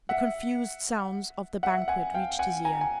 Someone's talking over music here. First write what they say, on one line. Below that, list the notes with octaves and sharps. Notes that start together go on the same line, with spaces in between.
The confused sounds of the banquet reached his ear.
E5 F#5
E5 F#5
F#5 G#5
F5 G5
F#5 G#5
G#5 A#5
G#5